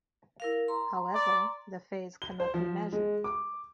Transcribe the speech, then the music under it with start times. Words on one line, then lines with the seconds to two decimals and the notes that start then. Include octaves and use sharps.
However, the phase cannot be measured.
0.40 E4 A#4 F5
0.68 A#5 C6
1.14 D5
2.22 G7
2.40 C5
2.54 F3
2.92 G#3
3.24 D6